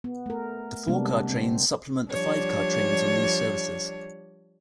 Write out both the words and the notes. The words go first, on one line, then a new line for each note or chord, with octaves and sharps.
The four-car trains supplement the five-car trains on these services.
B3
A3 A#4
C3 G3 G#3 A#3 B3 D4
C4
F3 G3 D4 C#5